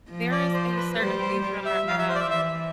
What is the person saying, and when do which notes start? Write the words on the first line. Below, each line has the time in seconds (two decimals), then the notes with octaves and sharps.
there is a certain feature on our app,
0.10 F3
0.32 D5
0.54 C5
0.77 B4
0.93 B4
0.99 G3 C5
1.21 C5
1.43 G3
1.65 E5
1.87 F3 F5
1.99 E5
2.09 C5
2.15 D5
2.20 E5
2.31 E3 E5